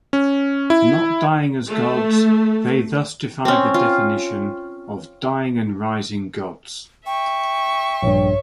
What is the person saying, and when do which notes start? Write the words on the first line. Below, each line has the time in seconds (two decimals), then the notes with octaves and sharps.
Not dying as gods, they thus defy the definition of "dying-and-rising-gods".
0.13 C#4
0.70 E4
1.69 A3
3.45 C4 C#4
3.74 F4
7.06 E5 G5 C#6
8.03 A#1 G2 C#5